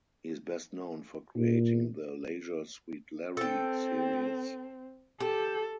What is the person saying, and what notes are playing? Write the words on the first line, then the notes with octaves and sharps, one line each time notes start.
He is best known for creating the "Leisure Suit Larry" series.
A#2
C4 A4 G5
G4 A4